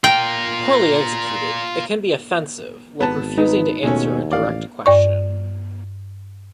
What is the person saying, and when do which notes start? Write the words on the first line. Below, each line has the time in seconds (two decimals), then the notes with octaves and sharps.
Poorly executed, it can be offensive, like refusing to answer a direct question.
0.04 F4 A#4 G5
3.01 G#1 B3 A5
3.38 D#4 B4
3.83 D#2 B2 G#3 A3 C#4
4.32 A1 D5 F5
4.86 G2 D5 C#6